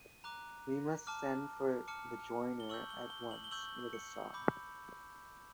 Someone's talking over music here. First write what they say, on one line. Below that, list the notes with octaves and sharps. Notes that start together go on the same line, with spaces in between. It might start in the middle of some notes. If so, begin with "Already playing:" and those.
We must send for the joiner at once, with a saw.
Already playing: D#7
A#5 D6 F#6
A5 D6 F6
A5 D6 F6 C#7
G7
C#6 E6 G6 F#7
G7
G7
F#7
G7
C#6 E6 G6 F#7
C#7
B5 D6 G6